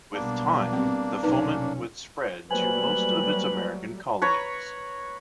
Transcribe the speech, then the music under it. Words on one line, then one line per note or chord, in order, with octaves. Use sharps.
With time the foment would spread to most of its American Colonies.
B1 G3 A#3 B3 D4
C4
F1 B1 C#4 D#4 B4 F5
F#3 G3 A3 A#3 B4 C5 G#5 F#7
B4 C#5 A#5